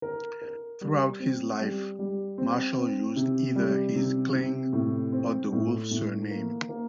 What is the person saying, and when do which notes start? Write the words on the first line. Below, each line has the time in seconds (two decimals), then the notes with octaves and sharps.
Throughout his life, Marshall used either his Kling or DeWolfe surname.
0.02 A#4
0.42 A#4
0.81 G3
1.20 C4
1.60 G3
1.99 G3
2.38 C4
2.77 C4
3.16 C3
3.55 G3
3.95 C3
4.34 C3
4.73 A2
5.12 C4
5.52 A2
5.91 A2
6.31 A#3
6.69 A#3